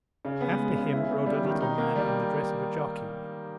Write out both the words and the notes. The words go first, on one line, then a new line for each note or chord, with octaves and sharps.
After him rode a little man in the dress of a jockey.
C#3
B3
G#3
C#3
E4
B3
G3
D#3
D#4
A#3
G3